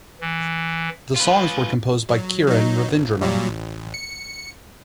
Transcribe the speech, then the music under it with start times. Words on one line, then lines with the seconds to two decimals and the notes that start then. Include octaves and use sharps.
The songs were composed by Kiran Ravindranath.
0.21 E3
1.16 F4 B4
2.09 F#3
2.47 F#3 D#4
2.88 G1
3.21 A#2 F#3 G3
3.48 A1
3.94 C#7